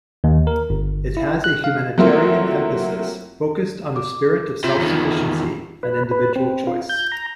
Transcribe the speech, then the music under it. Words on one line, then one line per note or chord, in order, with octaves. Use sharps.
It has a humanitarian emphasis focused on the "spirit of self-sufficiency and individual choice".
D#2
A#4
G1
E4
F#6
F5
F#3 A3 A#3 C4 E4 F4
D6
C3 F4 C5
E2 D#3
B4
B4
C4
F4
G6
A#5